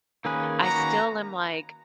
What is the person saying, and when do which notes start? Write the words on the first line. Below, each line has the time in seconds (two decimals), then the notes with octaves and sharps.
I still am, like,
0.25 D#3 A#3 C#4 G#4 B4
0.63 D#3 A#3 C#4 F#4 B4 A#5